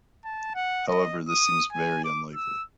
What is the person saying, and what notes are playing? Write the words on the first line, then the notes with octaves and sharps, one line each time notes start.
However, this seems very unlikely.
A5
F#5
D#5
D#6
G#5
D6
E6